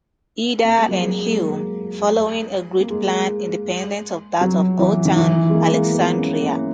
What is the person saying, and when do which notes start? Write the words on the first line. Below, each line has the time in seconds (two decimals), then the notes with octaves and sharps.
Ida, and Hume, following a grid plan independent of that of Old Town Alexandria.
0.65 A#3
0.77 G#3
0.89 F#3
1.02 G#3
1.34 A#3
1.41 G#3
2.80 A#3
2.90 G#3
4.41 F#3
4.79 E3
5.05 D#3
5.17 E3
5.50 G#3
5.54 A#3
5.73 A#3
5.91 B3
6.16 C#4
6.42 A#3